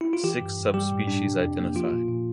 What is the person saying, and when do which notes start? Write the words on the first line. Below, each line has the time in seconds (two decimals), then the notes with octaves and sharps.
Six subspecies identified.
0.01 E4
0.13 F4
0.24 E3 G4
0.42 G2
0.58 G2
0.74 G3 G4
0.91 A2
1.07 D4
1.25 C3
1.42 F2
1.58 A#3
1.75 F3 F4
1.92 A#2
2.09 A#2